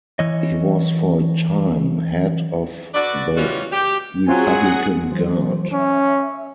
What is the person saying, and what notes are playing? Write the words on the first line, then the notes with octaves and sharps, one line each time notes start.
He was for a time head of the Republican Guard.
E3 C#5 D#5
F#4 A4 B4 D5
E3 G3 G#3 C#4 F4 F#4
G4
F#3 C4 F4 F#4 G#4 F#5 G#5
E3 F#3 C5
C#4 E5